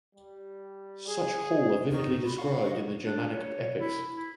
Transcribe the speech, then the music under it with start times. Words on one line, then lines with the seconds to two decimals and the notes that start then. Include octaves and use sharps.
Such hall are vividly described in the Germanic epics.
0.14 G3
1.08 G#4
1.91 E2 D#3 D#4 C#6
2.07 G#2
2.25 F4 F#4 B5
2.38 F5 F#5 C#6
2.64 D#5
3.04 D4
3.34 C#5
3.80 E4
4.16 E4